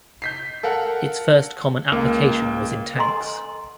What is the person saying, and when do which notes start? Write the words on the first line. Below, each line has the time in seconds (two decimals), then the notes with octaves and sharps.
Its first common application was in tanks.
0.22 G6 B6 C7
0.63 A4 A#4 F5 F#5
1.92 C#2 A#3
2.96 A4 D#5 F#5 G#5 A#5 C6